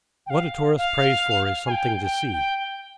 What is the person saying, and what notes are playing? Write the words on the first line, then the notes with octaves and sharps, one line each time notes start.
What a tourist prays for is something to see.
G5
F5
F5
G#5
G5
G5
G5